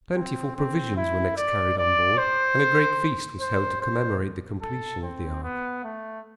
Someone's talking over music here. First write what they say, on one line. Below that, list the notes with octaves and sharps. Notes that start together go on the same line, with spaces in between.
Plentiful provisions were next carried on board and a great feast was held to commemorate the completion of the ark.
C4
C4
E4
D5
D5
C5
C5
C5
A4
C4
B3
A3